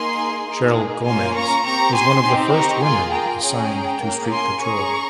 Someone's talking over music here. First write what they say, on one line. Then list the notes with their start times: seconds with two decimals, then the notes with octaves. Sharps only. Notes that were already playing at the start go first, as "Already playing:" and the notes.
Cheryl Gomez was one of the first women assigned to street patrol.
Already playing: A#3 D#4 G#4 G#5 C6
0.48 A#3 D#4 G#4
1.06 A#3 C#4 F4 G#5 C6
1.36 A#5 C#6
1.65 C4 G4 A#5 C#6
1.95 G#5 C6
2.24 C4 D#4 G4
2.54 A#5 C#6
2.84 A#3 F4 G#4 G#5 C6
3.13 G5 A#5
3.43 C#4 G#4 G5 A#5
4.01 A#3 C#4 G#4
4.31 G#5 C6
4.60 C#4 G#4 A#5 C#6